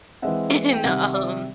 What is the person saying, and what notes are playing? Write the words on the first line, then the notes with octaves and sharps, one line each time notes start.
And, um
E3 G#3 C4 E5 F#5
G5
C3 D#3 G3 E5 F#5
D5 E5